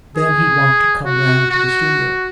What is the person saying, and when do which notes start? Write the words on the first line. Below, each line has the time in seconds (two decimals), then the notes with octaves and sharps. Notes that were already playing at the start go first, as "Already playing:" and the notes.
'Then he'd want to come round to the studio.
0.16 G#4
1.05 F#4
1.51 F#4